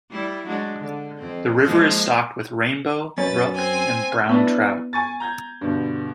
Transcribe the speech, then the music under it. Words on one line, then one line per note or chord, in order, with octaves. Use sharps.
The river is stocked with Rainbow, Brook, and Brown trout.
G3 E4
F#3 G#3 D4
D3
F2 C4
F3 G#3 A#3
F#2 C#4 B4 A6
C4 G#5
B3 D4 E4 B4
G#5 C#6 A6
A#5 G6 G#6
G2 B2 D3